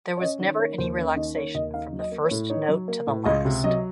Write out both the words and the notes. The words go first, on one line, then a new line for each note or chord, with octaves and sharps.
There was never any relaxation from the first note to the last.
C#5
C#4 D#5
D#3 C#5
A#3 C#5
D#2 C5
C#4 C#5
D#3 D#5
A#3 C#5
D#2 D#5
D#4 F5
F#3
D#5
A#3
C#5
A2
D#4 C#5
F#3
A#3
A2
C#2 D#5
C3
F#3 D#5